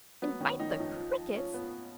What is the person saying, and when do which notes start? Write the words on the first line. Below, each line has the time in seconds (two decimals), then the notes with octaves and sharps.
Invite the Crickets?
0.22 F#3 B3
0.40 D#3 C#4
0.59 D#3 D#4
0.69 C#4
0.79 F2 D#4
0.97 F3
1.16 F3
1.34 F3 C#4
1.54 A#2 B3